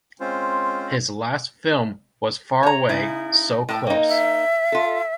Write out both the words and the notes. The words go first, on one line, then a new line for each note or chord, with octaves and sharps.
His last film was Faraway, So Close!
G#3 C4 C#4 F4 C5
C#5 A#5
C#3 D#4 E4
A2 G5 A5
A#3 D#4
E5
F4 A4